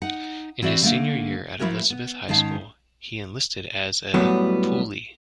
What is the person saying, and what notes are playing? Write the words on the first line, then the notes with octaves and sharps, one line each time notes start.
In his senior year at Elizabeth High School, he enlisted as a "poolee".
D#4 F#5
E3 C4 F#4 D5 E5
D3 A3 A#3
F3 A3 E4 F#4 A#4 C#5
B3
G#2 D#3 C#4 F5 A5
F#2 A2 F#3 G3 B3